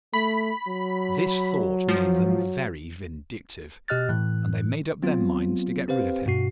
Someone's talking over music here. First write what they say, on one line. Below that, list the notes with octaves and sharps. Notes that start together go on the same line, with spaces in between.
This thought made them very vindictive, and they made up their minds to get rid of him.
A3 B5
F#3
F3
B2 G4 D#5 F6 F#6 A6
A2 E3 F#6
F#3 B3 C4 F4
C4 G4 B4 C5 F5
G2 B2 F#4 C7